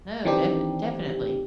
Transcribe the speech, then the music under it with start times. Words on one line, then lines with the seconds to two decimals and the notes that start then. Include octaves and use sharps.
No, def definitely.
0.25 D#3 E3 C4 D4 D#4 G4